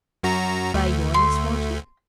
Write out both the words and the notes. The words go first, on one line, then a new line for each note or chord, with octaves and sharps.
"By your misfortune?"
F#2 F#4 A#5
D2 A3
C6